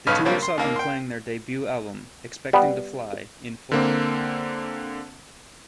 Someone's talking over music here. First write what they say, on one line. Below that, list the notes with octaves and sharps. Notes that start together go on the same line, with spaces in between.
The tour saw them playing their debut album, "Expecting to Fly", in full.
B1 G2 C#3 C#4 B4 F6
C#3 F#3 G3 A#3 C4 D4
C6
D#2 A#3
G5 C6
G3 B3
D3 A#3 C4